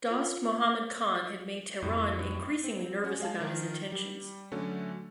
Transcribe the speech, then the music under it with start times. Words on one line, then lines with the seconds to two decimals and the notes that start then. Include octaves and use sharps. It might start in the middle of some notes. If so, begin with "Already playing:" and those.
Dost Mohammad Khan had made Tehran increasingly nervous about his intentions.
0.11 F4
1.82 F2 A2
2.64 C4
3.04 C#4 F#4
3.20 G#3 F5 A5
3.40 D#3 F3 A#4
3.92 G3
4.52 D3 F#3 A3 C#4